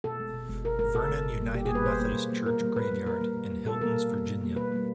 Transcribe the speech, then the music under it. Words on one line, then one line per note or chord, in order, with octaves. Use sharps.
Vernon United Methodist Church graveyard in Hiltons, Virginia.
B2 A4
G#3
B2
G#3
B2 A#4
G#3 A#4
B2 A4
G#3
B2
G3 A#3
B2 G4
G#4
G3 A#3 B4
B2 C5
G3 A#3
B2
G3 A#3
A#2 A#4
G3 A#3
A#2 B4
G3 A#3
A#2 A#4
G3 A#3
A#2
G3 A#3
B2 A4
G3 A#3 A#4
B2
G3 A#3
B2
G3 A#3
B2 B4
G3 A#3